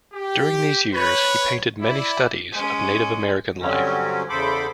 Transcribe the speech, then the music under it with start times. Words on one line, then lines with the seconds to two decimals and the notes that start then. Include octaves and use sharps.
During these years, he painted many studies of Native American life.
0.13 G4
0.93 B4 C#5
1.81 E4 D5
2.52 G#3 C#4
3.60 G2 D3 F#3 C4 C#4
4.30 E2 C#3 A4 C5 B5 D6